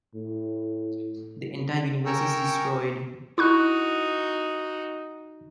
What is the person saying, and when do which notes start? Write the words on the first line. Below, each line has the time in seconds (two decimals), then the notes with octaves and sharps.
The entire universe is destroyed.
0.15 A2
2.06 A#4 G5 G#5 A#5 C#6 E6
3.38 D#4 E4 F#4 C#6 F#6